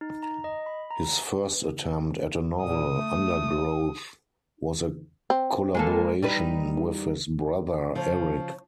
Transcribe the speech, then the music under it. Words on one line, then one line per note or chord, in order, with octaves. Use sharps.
His first attempt at a novel, "Undergrowth", was a collaboration with his brother, Eric.
D#4
A#5
D#5
B5
A#5
A#2 D#6
A3
C4
G#3 A#3 A4
G3 D#4 B4
C#3 F3